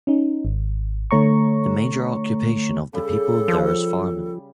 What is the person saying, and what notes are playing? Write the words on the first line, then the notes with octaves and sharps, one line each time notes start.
The major occupation of the people there is Farming.
C#4 D#4
G#1
D3 A3 C#5 A#5 C#6
C#3 G3 A4
F3